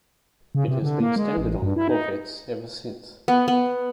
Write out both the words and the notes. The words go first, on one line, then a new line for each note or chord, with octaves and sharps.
It has been standard on Corvettes ever since.
C#3
C3
D3
A#3
G#3
A1
G2
E4
D#4
B3
B3